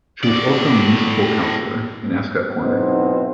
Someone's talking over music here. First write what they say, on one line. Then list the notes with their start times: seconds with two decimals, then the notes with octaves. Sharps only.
She was also a municipal councilor in Ascot Corner.
0.23 A2 D5
2.61 B1 B3 C4 D#4 E4 C5